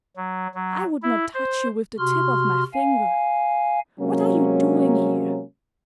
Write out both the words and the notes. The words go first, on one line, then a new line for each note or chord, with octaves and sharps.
I would not touch you with the tip of my finger. What are you doing here?
F#3
F#3
E4
C5
C3 F#4 C6 F6
F5 G#5
C3 F#3 G#3 A#3 C#4